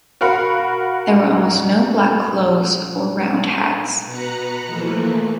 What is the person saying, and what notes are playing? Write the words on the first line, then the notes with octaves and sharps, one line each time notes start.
There were almost no black clothes or round hats.
F#4 A#4 F5 F#5 B5
B2 B4 A#5 F#6 C#7
E3 F3 A3 A#3